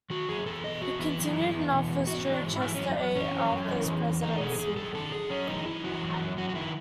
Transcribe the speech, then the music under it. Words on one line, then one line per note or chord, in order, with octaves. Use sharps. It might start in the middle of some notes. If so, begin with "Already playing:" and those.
He continued in office during Chester A. Arthur's presidency.
D#3 F#4
F#2 G#4
E2 A4
B2 D#5
E2 F#4
E3 E4
F#2
F#2
E2
B2
E2
G#2 F#4
E3
G#2
E3 E4
F#2 C#4
F#2
E3 C#4
F#2
F#2
E3
E2
E2
E2 D#4
B2 G#4
E2 G#4
F#2 A4
D#3 A4
F#2 G#4
F#2 C#4
E3 D#4
F#2 E4
E3 F#4
F#2
F#2
F#2 F#4
F#4
D#3 E4